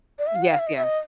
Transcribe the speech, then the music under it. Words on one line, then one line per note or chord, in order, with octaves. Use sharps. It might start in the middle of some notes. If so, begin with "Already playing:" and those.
Yes, yes.
D5
E5
F5
F#5
F5
E5
D#5
E5
D#5